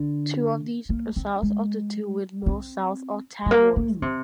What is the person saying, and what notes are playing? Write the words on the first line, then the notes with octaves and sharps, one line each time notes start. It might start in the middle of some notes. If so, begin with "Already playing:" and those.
Two of these are south of the two windmills south of Tadworth.
Already playing: D3
A#3
C4
G#3
C4
G#3
A#3
A#3
D3
C3